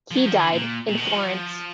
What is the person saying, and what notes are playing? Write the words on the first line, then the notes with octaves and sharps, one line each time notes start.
He died in Florence.
F3
F#3
F3
D#3
D3
A#2
A#2
B2
D#3
F3